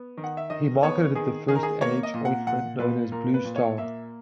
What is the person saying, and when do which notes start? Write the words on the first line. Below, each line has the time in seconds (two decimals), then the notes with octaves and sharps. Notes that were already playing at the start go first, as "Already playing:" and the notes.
He marketed the first-aid ointment known as "Blue Star".
Already playing: B3
0.17 D#3
0.24 F#5
0.37 E5
0.50 D#3 D#5
0.83 B3 C#5
1.15 D#3 G#4
1.48 D#3 G#4
1.55 A#4
1.63 G#4
1.81 A#3 C#5
2.03 D#5
2.14 A#2
2.25 F#5
2.47 A#2 F#5
2.79 A#2 B4
3.12 A#2 A#4
3.34 B4
3.45 A#2
3.56 C#5
3.78 A#3 E5